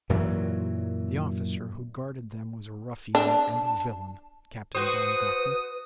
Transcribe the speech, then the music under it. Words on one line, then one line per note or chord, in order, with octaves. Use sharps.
The officer who guarded them was a ruffian and a villain, Captain Baumgarten.
F#2 A#2 E3 F#3
D4 A5
F#4 B4 C5 D#6